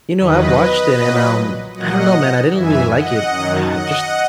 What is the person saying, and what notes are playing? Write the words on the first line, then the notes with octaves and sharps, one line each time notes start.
You know, I watched it and, um, I don't know, man, I didn't really like it. Ah, just,
E2 D#3 F#3 B4 D#5
A#2 F#3
A#2 F#3 D#5 F#5
F#2 E3 E5 G#5
D#5 F#5
F#2 D#3 F#3
D#5 F#5